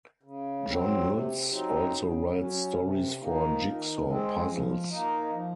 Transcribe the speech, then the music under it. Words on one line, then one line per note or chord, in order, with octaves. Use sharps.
John Lutz also writes stories for jigsaw puzzles.
C#3
F#3 C4
C3
F#3 C4 D#4
C#3
F#3 C#4
C3
F3 A#3 D#4
D#3
G#3 C4
F3
A#3 D#4
F3